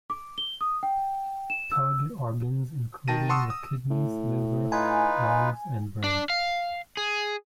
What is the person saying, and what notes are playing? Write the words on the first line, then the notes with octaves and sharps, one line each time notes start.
Target organs include the kidneys, liver, lungs and brain.
D6
G7
D#6
G5
E7
E6
D#3 G5 A5 A#6 D#7
F#5 A5 C6 C#6 D#6 E6
D#6
A2
D#4 F4 B4 G#5
D4
F5
G#4